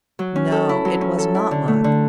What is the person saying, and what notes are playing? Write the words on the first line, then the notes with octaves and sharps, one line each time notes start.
No, it was not luck.
F#3
C#4
A4
E4
F#3
C#4
A4
E4
D3
A3
D3